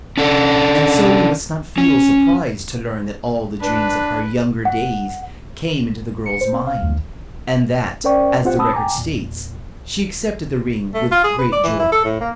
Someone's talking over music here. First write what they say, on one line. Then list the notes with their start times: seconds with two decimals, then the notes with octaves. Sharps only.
And so we must not feel surprised to learn that all the dreams of her younger days came into the girl's mind, and that, as the record states, "she accepted the ring with great joy."
0.18 C#4 D4 A4
1.78 C#4
3.61 D4 B4
4.65 F#5
6.26 C#7
6.41 C5
6.53 C4
6.67 F5
6.82 D2
8.04 C#4 A#4 C5 D5 G5 C#6
8.45 C4 F4 G4 C5 F#5
8.58 C#2 C4 A5 B5 D#6 E6
8.73 G5 G#5 A#5 D6
8.96 E2 A#2
10.94 A3
11.11 F4
11.24 G#4
11.38 B4
11.52 D5
11.64 E3
11.79 E4
11.92 A4
12.04 A2
12.20 A#3